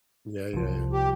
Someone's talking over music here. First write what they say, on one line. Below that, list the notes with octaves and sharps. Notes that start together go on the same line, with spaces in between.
Yeah, yeah, yeah.
C2 F3
G4